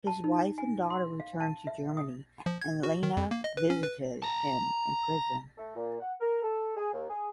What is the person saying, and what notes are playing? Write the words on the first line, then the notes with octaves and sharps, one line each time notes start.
His wife and daughter returned to Germany and Lena visited him in prison.
A5
D#4
G#5
C6
F5
A5
E5
D#6
F3
G#6
F#4
D#3
F2
A#3
D#5
B4
C#4
B4
A5 A#5
A3
A#2
F#5
A#4
A4
G#4
D#2
G#4